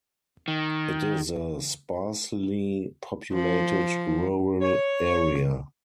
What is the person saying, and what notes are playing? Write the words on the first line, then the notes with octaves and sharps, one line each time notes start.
It is a sparsely populated, rural area.
D#3
F3
C#5